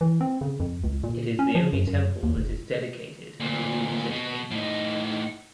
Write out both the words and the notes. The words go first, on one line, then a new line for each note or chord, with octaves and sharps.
It is the only temple that is dedicated to Wu Zetian.
E3
C4
C#3
F2
C#2
A#2
C#4
F3
F#2
F#2
D#2
F1
D2 A#2
B2
A2 D#4